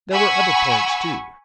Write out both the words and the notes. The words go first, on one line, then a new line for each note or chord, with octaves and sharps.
There were other points, too.
F#5 G#5 B5 C#6 E6